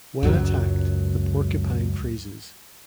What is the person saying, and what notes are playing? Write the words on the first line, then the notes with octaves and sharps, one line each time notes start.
When attacked, the porcupine freezes.
C#2 F#2 F#3